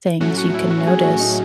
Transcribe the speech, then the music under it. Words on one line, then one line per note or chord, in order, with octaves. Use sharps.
things, you can notice
A2 F#3 A3 C#4 F#4
F#4
E4
F#4
G#4
F#4
D#4